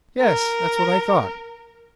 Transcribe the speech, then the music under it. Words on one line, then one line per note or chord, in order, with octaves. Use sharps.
Yes: that's what I thought....
A#4